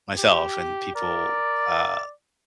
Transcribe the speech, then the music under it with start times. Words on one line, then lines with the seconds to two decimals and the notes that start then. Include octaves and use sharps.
myself and people, uh,
0.18 G4
0.95 A#4 D5